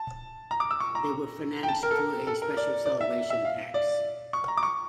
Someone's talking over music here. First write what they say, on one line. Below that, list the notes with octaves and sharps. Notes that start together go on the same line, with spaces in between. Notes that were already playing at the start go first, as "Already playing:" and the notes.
They were financed through a special celebration tax.
Already playing: A5
A#5
D6
E6
C#6
A#5
G5
A5
A#4
A4
A#4
A4
A#4
D5
D5
E5
E5
F5
D5
C#6
A#5
D6
C#6